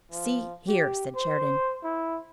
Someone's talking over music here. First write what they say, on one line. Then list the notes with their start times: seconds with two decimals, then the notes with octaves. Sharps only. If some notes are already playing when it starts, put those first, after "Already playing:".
"See here!" said Sheridan.
0.12 F3
0.68 G4
1.15 C5
1.84 E4